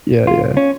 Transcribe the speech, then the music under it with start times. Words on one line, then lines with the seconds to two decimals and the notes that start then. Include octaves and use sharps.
Yeah, yeah.
0.27 F4
0.57 C#4